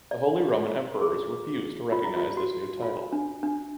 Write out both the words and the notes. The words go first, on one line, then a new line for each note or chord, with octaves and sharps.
The Holy Roman emperors refused to recognise this new title.
D5
G#4
F4
E4
F4
F#4
F4
D4
D4